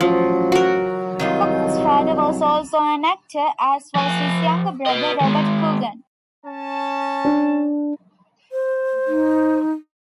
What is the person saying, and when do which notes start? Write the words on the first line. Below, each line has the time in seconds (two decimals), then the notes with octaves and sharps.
Coogan's father was also an actor, as was his younger brother, Robert Coogan.
0.01 A1 F3 F#3
0.52 F#4 A#4
1.20 C2 D#3 D#4 F4
3.95 F3 G#5
4.86 B4 D#5
5.21 D#3 G#3
6.46 C#4 A5
7.25 D4
8.52 C5
9.07 D#4